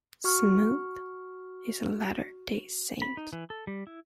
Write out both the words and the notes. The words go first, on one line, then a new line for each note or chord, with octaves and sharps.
Smoot is a Latter-day Saint.
F#4 C#6 F6
B5
D#4
E3
A4
G3
E4